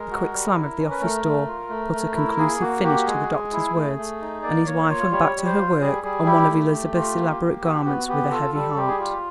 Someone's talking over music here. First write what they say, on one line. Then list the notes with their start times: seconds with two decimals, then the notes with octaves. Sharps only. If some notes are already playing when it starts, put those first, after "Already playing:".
The quick slam of the office door put a conclusive finish to the doctor's words, and his wife went back to her work on one of Elizabeth's elaborate garments with a heavy heart.
Already playing: G#3 A#4
0.11 F#4
0.33 G3
0.55 E4
0.78 C#4
0.90 B4
1.01 A3 A#4
1.24 A3
1.47 F4
1.69 A3
1.93 A3
2.15 E4
2.38 A#3 G#4
2.60 A#3 F#4
2.83 F#4 G4
3.06 G#3 G#4
3.29 G#3
3.52 E4
3.75 A3
3.98 A3
4.21 D#4
4.43 A#3 D5
4.66 A#3 C#5
4.89 F4 C#5
5.11 G3 C#5
5.35 G3
5.46 C5
5.57 F4
5.80 G3 G#4
6.03 G3 G#4
6.25 E4 G4
6.49 A3
6.71 A3
6.95 F4
7.17 A#3
7.41 A#3
7.63 F#4
7.85 B3 F#4
8.08 B3 G4
8.31 F4 A4
8.54 G3 A4
8.76 G3 G4
8.88 G#4
8.99 F4 G4